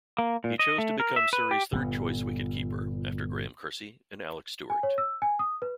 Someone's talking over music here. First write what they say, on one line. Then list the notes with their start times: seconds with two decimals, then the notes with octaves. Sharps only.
He chose to become Surrey's third-choice wicket-keeper after Graham Kersey and Alec Stewart.
0.18 A#3
0.44 A#2
0.59 D#5
0.78 A3
1.00 A#4
1.16 E5
1.33 B4
1.51 G4
1.72 G1 A#2 G3 B3
4.70 G#5
4.83 C#5
4.98 E6
5.22 G#5
5.39 D#6
5.62 B4